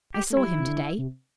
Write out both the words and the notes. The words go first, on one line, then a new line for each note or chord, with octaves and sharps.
"I saw him to-day."
G4
A3
G3 E4
C3
D3
C3